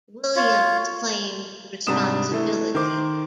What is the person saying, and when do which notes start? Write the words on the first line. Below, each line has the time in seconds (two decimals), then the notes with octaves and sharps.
Williams claimed responsibility.
0.36 F4 C#5
1.87 G#2 C3 G3 D4 D#6 E7
2.31 E3 A3
2.74 D#3 A#4 C5 C6 D6